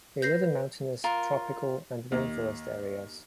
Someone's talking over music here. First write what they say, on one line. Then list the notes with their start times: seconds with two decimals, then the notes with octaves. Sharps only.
They live in mountainous, tropical, and rainforest areas.
0.22 B4 G6 A#6 C7
1.04 F4 A#4
2.12 D#2